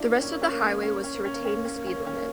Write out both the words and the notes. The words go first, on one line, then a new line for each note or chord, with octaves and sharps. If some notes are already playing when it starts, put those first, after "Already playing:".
The rest of the highway was to retain the speed limit.
Already playing: D4 E4 F4
A#3
C#4
A#3
C#4
A#3
C#4
A#3
C#4
A#3
C#4
A#3
C#4
A#3
C#4
A#3
C#4
A#3
C#4
A#3
C#4
A#3